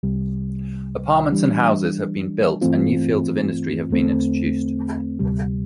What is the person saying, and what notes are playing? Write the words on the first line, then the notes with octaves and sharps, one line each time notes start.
Apartments and houses have been built and new fields of industry has been introduced.
C2 C3 G3
E3 G3 D4
G2 E3 A3 C4 F4
E2 D3 A3 C4
D2 C3 G3